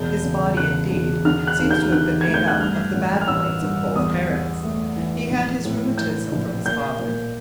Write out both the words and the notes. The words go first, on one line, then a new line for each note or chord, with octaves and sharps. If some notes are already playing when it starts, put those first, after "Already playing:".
His body, indeed, seems to have been made up of the bad points of both parents: he had his rheumatism from his father.
Already playing: E1 G6
C#3
C#3 F#6
E1
D3 F6
F#6
D#2
G6
D3 F#6
G#6
A3
G6
F#6
G2 F6
A1
F6
A1 E6
G2
E2 D#6
E2
A3
E3
A#1
A2
E3 G6
A#1
A#2 G6
A#2